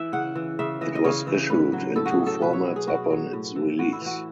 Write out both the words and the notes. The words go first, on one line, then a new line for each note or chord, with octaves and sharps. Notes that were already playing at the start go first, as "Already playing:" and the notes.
It was issued in two formats upon its release.
Already playing: E3 E5
C#3 F#5
E3
C#3 E5
E3 D#5
D#5
C#3 C#5
E3
A2 B4
F#3
A2 A4
F#4
G#4
F#3
A4
B2 B4
C#5
F#3
G#4
B2 F#4
F#3
A2
E3
A2 F#4
E4
E3 F#4